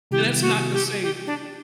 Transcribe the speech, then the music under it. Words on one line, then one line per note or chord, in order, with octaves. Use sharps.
and that's not to say
C3 D#3 G3 B3 E4 G4
F#4
G4
G4
D4